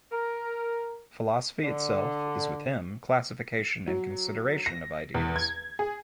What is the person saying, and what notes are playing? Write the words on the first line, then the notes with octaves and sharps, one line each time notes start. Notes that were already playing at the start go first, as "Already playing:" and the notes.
Philosophy itself is with him classification and consideration of ideas.
A#4
D3
F#3
A#6
E2
G#6
G#4